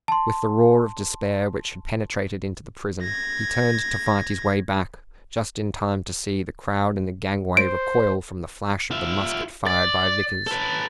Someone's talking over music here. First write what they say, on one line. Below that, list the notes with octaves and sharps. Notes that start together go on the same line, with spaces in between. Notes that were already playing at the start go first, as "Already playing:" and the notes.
With the roar of despair which had penetrated into the prison, he turned to fight his way back, just in time to see the crowd in the gangway recoil from the flash of the musket fired by Vickers.
A5 C6
G#6 A#6
C5 D7
F4 E5
D5 A6
A4 B4